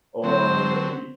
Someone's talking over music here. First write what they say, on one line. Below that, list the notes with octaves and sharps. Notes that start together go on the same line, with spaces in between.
Or y
D3 F#3 C4 C5